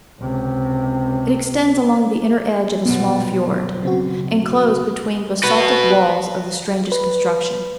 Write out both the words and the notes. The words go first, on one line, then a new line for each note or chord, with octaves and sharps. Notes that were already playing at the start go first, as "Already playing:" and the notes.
It extends along the inner edge of a small fiord, inclosed between basaltic walls of the strangest construction.
C#2 C3
A#1 F#2 B2 B3
C#3 C4 F#4
F#4 B4
B4